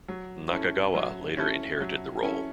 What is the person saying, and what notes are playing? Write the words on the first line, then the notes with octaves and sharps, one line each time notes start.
Nakagawa later inherited the role.
F#3
C#4 E4 A4
F#3
C#4 E4 A4
F#3
C#4 E4 A4